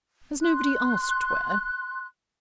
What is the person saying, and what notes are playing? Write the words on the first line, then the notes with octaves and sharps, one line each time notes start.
"Has nobody asked where?"
C6 F#6